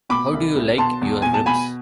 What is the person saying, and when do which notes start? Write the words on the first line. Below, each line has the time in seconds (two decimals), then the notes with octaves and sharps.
How do you like your ribs?
0.09 B2 B5 D6
0.33 C2
0.55 C2
0.78 B2 A5 C6
1.02 E2
1.22 B2 G#5
1.34 A5
1.46 B2 G#5 B5